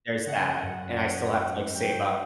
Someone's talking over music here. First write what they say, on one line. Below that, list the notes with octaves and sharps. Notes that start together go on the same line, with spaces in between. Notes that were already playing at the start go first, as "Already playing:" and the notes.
there's that, and I still have to, like, save up.
C#3 F#5
F#2
F#2
F#2
F#3 G5